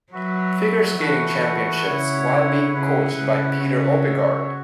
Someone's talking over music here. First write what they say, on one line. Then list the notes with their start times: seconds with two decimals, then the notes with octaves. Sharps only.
Figure Skating Championships while being coached by Peter Oppegard.
0.12 F#3 F#4 B4 E5
0.99 E3 A3 F#4 B4 F#5
1.87 C#3 E4 C#5 F#5
2.73 C#3 E4 B4 F#5
3.17 C#3
3.60 F#4 C#5 E5
4.47 F#4